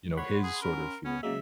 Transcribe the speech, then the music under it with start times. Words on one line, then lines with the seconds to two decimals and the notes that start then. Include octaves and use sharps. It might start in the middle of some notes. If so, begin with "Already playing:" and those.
you know, his sort of fear.
0.17 C#5 F#5 B5 C6
0.43 G#4
0.62 C#4 A#4
1.05 B3 C#4
1.23 C#3 F#3 G#3 A#3 E5